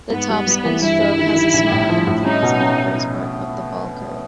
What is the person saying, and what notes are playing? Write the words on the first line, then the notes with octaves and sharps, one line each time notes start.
The topspin stroke has a smaller influence on the first part of the ball-curve.
G#2 B3
G3
G3
E3
G2 E4
G2
D#3
D#3
A#1
A2
F3
A2
C#4 D#4
B2
C#4